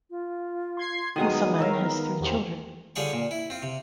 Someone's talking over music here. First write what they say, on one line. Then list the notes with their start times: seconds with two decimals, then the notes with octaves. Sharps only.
Uthaman has three children.
0.10 F4
0.77 C6 G#6 C7
1.16 D#3 F#3 G#3 B3 D#6
1.59 D#3 D#4 A#4 C#5 E5 F5
1.78 B3
2.20 E2 C4 G4
2.96 D3 G3 F4 G#4 C#5 C#6
3.13 A#2
3.31 E4
3.50 C4 F4
3.62 C3